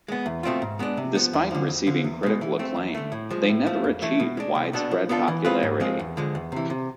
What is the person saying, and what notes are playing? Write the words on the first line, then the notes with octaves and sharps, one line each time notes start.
Despite receiving critical acclaim, they never achieved widespread popularity.
G#3 B3
E2
B2 A3 C4 F4
G#2
G#3 B3 D4
C3
F3 B3
E2
D3 F3
F2
D3 F3
E2
B2 G#3
E3
A3 C4
E2
D3 A3
A2
F3 G#3
A2
F3 A3
F2
E3 A3 E4
B2
G#3 D4
C2
B2 B3 D4 A4
F3
B3 D4 F4 A4
E3
G#3 C4 F4 B4
G#2
F3 G#3 C4
E2
D3 F3 G#3
E2
C3 E3
C3